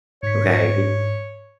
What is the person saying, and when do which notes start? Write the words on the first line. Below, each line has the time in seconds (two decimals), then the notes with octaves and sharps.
okay? Y
0.23 G#2 C#5 B6